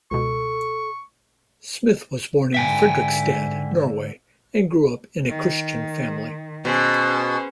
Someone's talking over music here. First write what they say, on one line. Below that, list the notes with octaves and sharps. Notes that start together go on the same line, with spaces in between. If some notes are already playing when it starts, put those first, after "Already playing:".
Smith was born in Fredrikstad, Norway and grew up in a Christian family.
C#2 B2 A4 C#6
G#2 D3 E5 G5 G#5
D#3
B2 C#4 G#4 C5